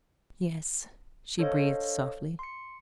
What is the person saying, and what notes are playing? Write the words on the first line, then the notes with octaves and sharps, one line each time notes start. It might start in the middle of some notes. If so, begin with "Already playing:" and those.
"Yes," she breathed softly.
D4 A4 C5 C#5 D#5 F5
C6 C#7